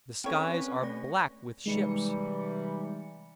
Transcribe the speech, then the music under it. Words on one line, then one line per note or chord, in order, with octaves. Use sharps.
The skies are black with ships.
G3 C4 C#4 A4 B4 C#5
A3 D5 A#6
C3 E3 G3 G#3 D#4 C#7